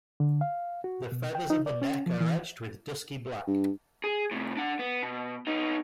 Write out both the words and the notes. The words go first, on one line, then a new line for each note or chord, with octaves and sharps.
The feathers of the neck are edged with dusky black.
D3
F5
F#4
B2
G5
D#4
D5
C#4
F3
E3
G2
G#4
A2 C3
D4 F#5
B3
B2
B3 D#4